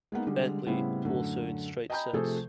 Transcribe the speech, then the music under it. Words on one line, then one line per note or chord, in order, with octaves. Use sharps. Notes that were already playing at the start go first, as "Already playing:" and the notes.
Bentley, also in straight sets.
G#3 A#3 B3 D#4
D3 G3 G#3
A2 C#3 G3 B3 C4 E4
F#2 A2 D3
D#5 G5 G#5 A#5 B5 G6
C3 F3 A3 G#4 A4